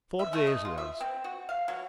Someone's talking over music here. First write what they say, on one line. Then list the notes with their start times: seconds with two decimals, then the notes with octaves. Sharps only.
"Four days," he answered.
0.19 E5
0.33 A3
0.47 D#5
0.65 F4
0.78 E5
1.01 C4
1.24 F#4
1.49 F5
1.68 F#3